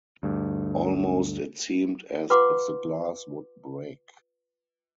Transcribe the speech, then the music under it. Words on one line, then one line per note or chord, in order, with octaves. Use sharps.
Almost it seemed as if the glass would break.
D2 G2
F4 B4 F5 F#5 C6 D6